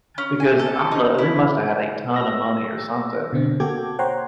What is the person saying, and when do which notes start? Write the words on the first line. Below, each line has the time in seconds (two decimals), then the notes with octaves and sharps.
because, I don't know, they must have had a ton of money or something
0.18 C#4
0.40 G#5
0.59 A4
0.91 D#4
1.18 E4
2.14 E6 A#6
3.33 B2 D3 C4
3.60 A#3 F#4 A4 G5 D6 G#6
3.99 C5 C#5 F#5 G5 A#5 C6